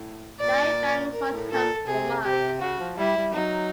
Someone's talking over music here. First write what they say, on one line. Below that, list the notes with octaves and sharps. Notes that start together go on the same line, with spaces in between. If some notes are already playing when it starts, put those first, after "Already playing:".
Daifang sought help from us.
Already playing: A2
A#2 D5
A#4
A2
A#2 A4
C3 G#4
C3 G4
C#3 F#4
F3
G3 E4
G3
F3
F#3 D#4